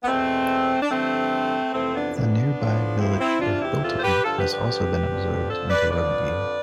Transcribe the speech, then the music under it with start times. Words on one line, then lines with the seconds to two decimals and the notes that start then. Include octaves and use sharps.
The nearby village of Bilton has also been absorbed into Rugby.
0.03 B3
0.07 E2 B2 A3 C4
0.82 D4
0.91 G2 D3 F3 A3 C4
1.74 F2 C3 E3 A3 C4
1.95 B3 D4
2.15 B3 D4
2.57 A2 F3
2.99 C4 E4
3.20 C4 E4
3.41 E2 C3 E3 D4 F4
3.62 E4 G4
3.83 F4 A4
3.99 C5
4.03 G4 B4
4.24 G2 D3 F3 F4 A4
4.38 G4 B4
4.52 G4 B4
5.08 F2 D3 F3
5.49 A4 C5
5.70 B4 D5
5.90 F2 D3 F3 B4 D5